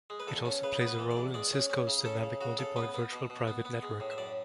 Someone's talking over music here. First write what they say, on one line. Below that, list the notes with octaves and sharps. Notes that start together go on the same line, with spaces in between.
It also plays a role in Cisco's Dynamic Multipoint Virtual Private Network.
G#3
B4
E2 A4
C#4
C#3 B4
B3
B4
E3
D5
E2
G#3 D5
C#4
C#4
C#3
C#4 A4
C#3
C#3 F#4
C#3 A4
B3 B4
B3
B2
B2
B3
B3
G#3
A2
E5
F#2 D5